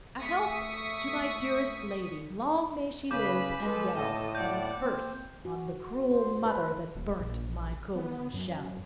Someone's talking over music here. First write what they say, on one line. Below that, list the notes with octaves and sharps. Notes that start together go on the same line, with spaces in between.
'A health to my dearest lady, Long may she live and well! But a curse on the cruel mother That burnt my golden shell!'
A3 E5 C#6 D#6 B6
C#3 B4 B5 D6 G6
G#3 A4 B4
A2 A4 D#5
D5 F#5 G6
A#3 C4
F#4
C5
B4
D#1
A#1
B3
F#2